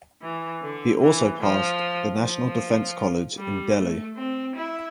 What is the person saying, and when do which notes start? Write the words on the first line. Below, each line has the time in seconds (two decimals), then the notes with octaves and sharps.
He also passed the National Defence College in Delhi.
0.22 E3
0.62 D3
1.01 E3
1.40 F3
2.19 F3
3.37 G3
3.77 A3
4.17 C4
4.55 E4